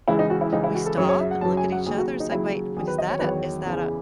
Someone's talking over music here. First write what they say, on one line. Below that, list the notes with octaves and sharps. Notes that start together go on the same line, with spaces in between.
we stop and look at each other and say, "Wait, what is that a is that a
C#2 C#3 E3 E4
D#4
F#4
E4
C#2 C#3 E3 D#4
E4
F#4
A4
F#2 C#3 F#3 C#5
C#5
E5
F#5
F#2 C#3 F#3 A5
G#5
F#5
D#2 C#3 F#3 G#4
F#4
D#4
D#2 C#3 F#3 E4
E2 D#3 F#3 G#4
B4
D#5
C#5
E2 D#3 F#3 B4
C#5
E2 C#3 E3